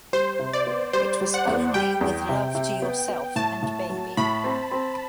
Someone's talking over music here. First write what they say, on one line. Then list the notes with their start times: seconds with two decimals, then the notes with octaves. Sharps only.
It was only With love to yourself and baby.
0.13 G3 C5
0.39 C3
0.53 D5
0.67 B3
0.93 G3 C5
1.21 G3
1.34 F#5
1.47 E2
1.74 G3 G5
2.01 E2
2.29 C3
2.55 C3
2.82 B3
3.09 B3
3.36 A2 A5
3.63 A2
3.90 F#3
4.17 A2 B5
4.44 C4
4.72 C4